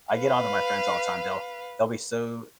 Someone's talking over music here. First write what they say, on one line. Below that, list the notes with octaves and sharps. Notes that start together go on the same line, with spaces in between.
I get onto my friends all the time, they'll they'll be so
B4 F5